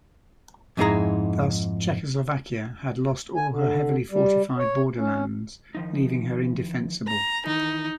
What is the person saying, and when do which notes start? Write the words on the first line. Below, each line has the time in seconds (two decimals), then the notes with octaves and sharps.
Thus Czechoslovakia had lost all her heavily fortified borderlands, leaving her indefensible.
0.77 F2 G#2 D#4 E4 G#4 A#5
3.36 G#5
3.51 D3
4.11 G3
4.58 C#5
4.97 C#4
5.75 D#3 F3 D#4
7.07 A#5
7.46 D#3 E3 D#4